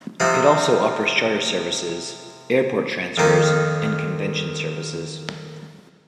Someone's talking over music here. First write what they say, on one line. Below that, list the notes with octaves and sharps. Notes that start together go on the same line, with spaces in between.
It also offers charter services, airport transfers, and convention services.
C3 F3 C4 D#4
F2 D#3 A#3 D#4